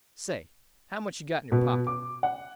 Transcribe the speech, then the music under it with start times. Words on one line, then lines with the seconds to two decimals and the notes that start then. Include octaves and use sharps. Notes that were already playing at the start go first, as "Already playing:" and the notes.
Say, how much you got in your pocket?
1.52 B2
1.87 D6
2.23 F#5